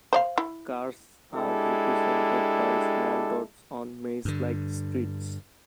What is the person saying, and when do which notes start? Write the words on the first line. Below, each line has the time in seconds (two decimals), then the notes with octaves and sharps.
Cars are represented by small dots on maze-like streets.
0.13 C5 D5 F5
0.38 E4
1.34 G#3 D4 E4 G4 A4
4.25 G2 D3